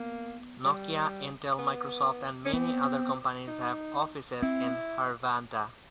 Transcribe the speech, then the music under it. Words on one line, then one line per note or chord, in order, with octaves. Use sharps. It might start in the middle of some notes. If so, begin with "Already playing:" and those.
Nokia, Intel, Microsoft, and many other companies have offices in Hervanta.
Already playing: A#3 B3
G3
B3
C#4
B3 C4
D#4
C4 E4